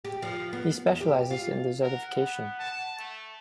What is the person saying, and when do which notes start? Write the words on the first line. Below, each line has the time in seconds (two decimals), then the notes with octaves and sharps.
He specialises in desertification.
0.05 G4
0.22 F3
0.53 B3
0.87 E2
1.01 G4
1.30 F4
1.82 A#4 F#5
2.15 B3
2.59 A5
2.99 A3